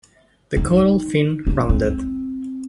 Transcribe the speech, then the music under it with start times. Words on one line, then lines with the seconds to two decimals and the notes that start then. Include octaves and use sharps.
The caudal fin rounded.
0.56 D#4
1.47 D4
1.69 C4